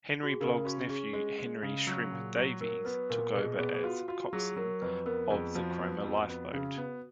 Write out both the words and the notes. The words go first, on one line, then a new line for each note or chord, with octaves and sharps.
Henry Blogg's nephew Henry "Shrimp" Davies took over as coxswain of the Cromer Lifeboat.
F#4
G#4
C#3 A#4
C#4 F#4
C#4 G#4
G#3
G#3
C#3
F#3
A#2
F#3
F#3 A#4
B3 B4
A#2 A#4
B2 G#4
B3 G#4
G#4
F4 F#4
F4 F#4
F#3 G#4
F#3 A#4
F2 B4
B3 A#4
F2 G#4
F3 F#4
B3
F2
B3
C#3
B3